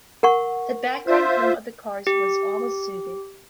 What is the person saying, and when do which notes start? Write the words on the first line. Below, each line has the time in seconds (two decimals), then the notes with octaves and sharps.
The background hum of the cars was almost soothing.
0.23 A#4 F#5 C#6
1.07 F4 C5 E5
2.07 G4